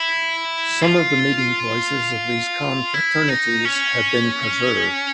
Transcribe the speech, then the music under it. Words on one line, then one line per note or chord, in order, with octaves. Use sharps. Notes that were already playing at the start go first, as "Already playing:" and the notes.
Some of the meeting places of these confraternities have been preserved.
Already playing: E4
F4
E4
D#4
C#4